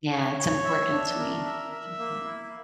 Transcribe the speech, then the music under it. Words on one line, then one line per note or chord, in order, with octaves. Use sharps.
Yeah, it's important to me, it's important.
C#5
C#5
E5
D4
A#4
E5
E5
A#3
E4